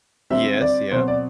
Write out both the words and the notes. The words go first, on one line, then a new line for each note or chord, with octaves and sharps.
Yes, yep.
D3 G3 C4 E5
D5
B2 F#3 C4 C5
D5